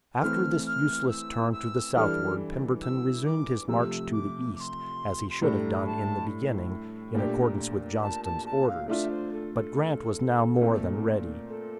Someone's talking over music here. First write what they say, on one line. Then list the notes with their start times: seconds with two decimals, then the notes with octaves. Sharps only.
After this useless turn to the southward Pemberton resumed his march to the east, as he should have done in the beginning, in accordance with Johnston's orders; but Grant was now more than ready.
0.22 E3 A3 C4 F6
0.65 F6
1.08 E6
1.51 E6
1.95 E3 G3 D4 A4 F6
2.82 E6
3.25 D6
3.68 C3 F3 A3 E6
4.11 D6
4.55 D6
4.60 C6
5.29 C6
5.42 A2 G3 D4 A4 A#5
5.85 A5
7.15 A#2 A3 D4 G4
8.02 A5
8.24 A5
8.45 A5
8.67 F5
8.88 A3 D4 F4 E5
9.10 C5
9.32 A4
9.54 A4
10.61 A#2 A3 C4
11.49 A4